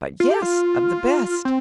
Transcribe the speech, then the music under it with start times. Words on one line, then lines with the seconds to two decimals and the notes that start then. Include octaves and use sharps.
'But yes, of the best!'
0.20 F4
0.30 G4
0.42 F4
1.45 C4